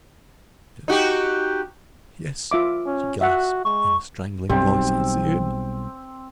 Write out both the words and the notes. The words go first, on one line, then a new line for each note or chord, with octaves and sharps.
"Yes--yes," she gasped in a strangling voice, "I see him."
D#4 F#4 G4
F4 E5 D6
C#4
F#4 E5 F#5
G#3 C#6
B1 G3 C4